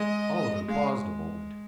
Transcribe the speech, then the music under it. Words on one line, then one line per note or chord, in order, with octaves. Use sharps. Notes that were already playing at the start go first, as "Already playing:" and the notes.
Oliver paused a moment.
Already playing: G#3 D#5
G#3 F5